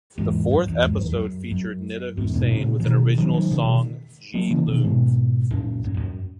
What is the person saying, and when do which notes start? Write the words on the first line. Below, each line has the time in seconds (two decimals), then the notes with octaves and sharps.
The fourth episode featured Nida Hussain with an original song Jee Loon.
0.18 E2 G#2
0.51 F#2
0.68 E2
0.84 G#2
0.94 F#2
1.03 E2
1.12 F#2
1.51 F#2
2.17 E2 G#2
2.34 G#2 B2
2.51 A#2 C#3
2.80 E3
2.84 B2 D#3
3.18 D#3 F#3
3.34 D#3 F#3
3.51 C#3 E3
3.62 B2 D#3
4.34 F#3 A#3
4.51 C#3 E3
4.68 B2 D#3
4.84 G#2 B2
5.51 F#2 A#2
5.84 F#2
5.94 E2
6.00 F#2